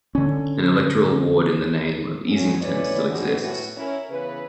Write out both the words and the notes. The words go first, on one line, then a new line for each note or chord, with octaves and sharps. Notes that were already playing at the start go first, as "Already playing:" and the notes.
An electoral ward in the name of Easington still exists.
D3 C#4
D2 C#4 F#4
D2 E3 C#4 B4 C#5 D5
E2 E3 F3 G#3 F#4 G4
A2 B3 F#4
C#4 E4 A#4
C#3 E3 B3 B4